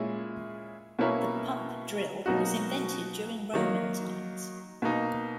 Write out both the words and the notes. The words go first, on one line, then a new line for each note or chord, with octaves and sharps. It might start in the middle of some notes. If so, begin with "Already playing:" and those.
The pump drill was invented during Roman times.
Already playing: A#2 G#3 C#4 E4 G#4
B2 A#3 C#4 E4 A#4
B2 F#3 A#3 D#4 F#4
D#3 F#3 A#3
B2 A#3 D#4